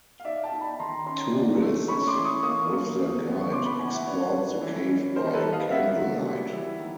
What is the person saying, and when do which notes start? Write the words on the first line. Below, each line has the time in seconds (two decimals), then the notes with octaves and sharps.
Tourists, with their guide, explored the cave by candlelight.
0.20 F5
0.25 D#4 D5 E5
0.43 G5 A5
0.52 D#4
0.61 A5 B5
0.79 D#3 A#5 C6
1.06 C#4 A#5 C6
1.34 D4
1.62 A3
1.88 C#4 B5 C#6
2.07 C6 D6
2.16 E3
2.24 C#6 D#6
2.43 A#3 C#6 D#6
2.71 F#3
2.98 F#3
3.26 B3
3.41 C#6
3.52 B3 C6 D6
3.65 B5 C#6
3.79 E3 F#5 G#5
3.93 E5 F#5
4.07 D4 B4 C#5
4.34 D4
4.61 E3
4.89 C#4
5.15 G3 A#4 C5
5.34 A4 B4
5.43 G3
5.52 D#5 F5
5.71 A#3 E5 F#5
5.98 F#3
6.26 G3
6.52 E3
6.79 D#3